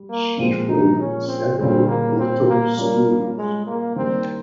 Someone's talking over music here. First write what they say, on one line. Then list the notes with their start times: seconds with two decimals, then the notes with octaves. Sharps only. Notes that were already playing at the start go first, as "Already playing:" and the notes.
She formed several little schools.
Already playing: G3
0.09 A#3
0.39 A#2 F3 G#3 C4
0.69 D#4
0.99 C#4
1.28 C4
1.58 A#2 G3 C4 C#4 G#4
1.88 A#3
2.18 C4
2.48 A#3
2.77 G3 A#3 C#4 F4 A#4
3.37 G#3
3.67 A#3
3.96 D#3 G3 A#3 C4 D#4